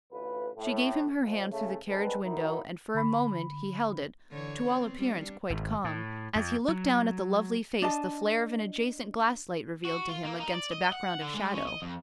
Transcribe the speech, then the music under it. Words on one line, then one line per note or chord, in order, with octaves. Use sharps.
She gave him her hand through the carriage-window, and, for a moment, he held it, to all appearance quite calm, as he looked down at the lovely face the flare of an adjacent gaslight revealed to him against a background of shadow.
A1 D2 F4 B4
A2
F2
C#3 A3
D3 G#3 C4 A4 B4
D#3 F#3 D#4 E4 F#4 A#4
D3 B5
D3 E3 C#5
B3 C4
G3 D4
G#1
A2
F2
F#3
D4 D#5 A5
F#4
F4
A#3
D#4
D5
D#5
F#5
D3
G#3
C#4
D#5
F2